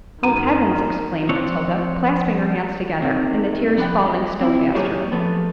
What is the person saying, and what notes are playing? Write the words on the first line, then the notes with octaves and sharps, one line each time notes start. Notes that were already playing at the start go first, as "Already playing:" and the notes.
"Oh Heavens!" exclaimed Matilda, clasping her hands together, and the tears falling still faster.
F#2 D#3 A#5 D#7
F3 C4 D4 C#5
D#2 C3 D#3
F3 B3 D4 G5
G#3
C4 E4
F#3 A#3 G4 G#4 C#5 D5
F3 A3 B3